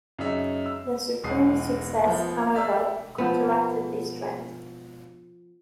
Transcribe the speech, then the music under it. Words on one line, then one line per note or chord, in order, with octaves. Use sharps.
The Supremes' success, however, counteracted this trend.
F#2 C#3 D#4 E5
E6
E1 B1 E2 D#6 C7
F3 B3
D5 E5 F5 E6
F3 B3